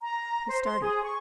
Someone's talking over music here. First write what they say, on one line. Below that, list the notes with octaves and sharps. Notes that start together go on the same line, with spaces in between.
He started.
A#5
C5
C6
G#4
C#6